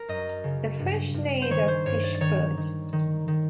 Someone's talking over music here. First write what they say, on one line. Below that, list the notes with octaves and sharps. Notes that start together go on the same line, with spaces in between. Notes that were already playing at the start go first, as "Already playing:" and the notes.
The fish need of fish food.
Already playing: A#4
F#2 D#5
C#3
G2
G2
C5
D#3 C#5
C5
G2 C#5
D5
D5
D#3 C#5
D#3
D#3
D#3